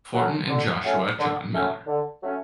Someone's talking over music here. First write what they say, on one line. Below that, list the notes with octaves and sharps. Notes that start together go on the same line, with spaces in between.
Fortin and Joshua John Miller.
F#3 A3 C#4
D3
F#3 A3 C#4
D3
F#3 A3 C#4
D3
F#3 A3 C#4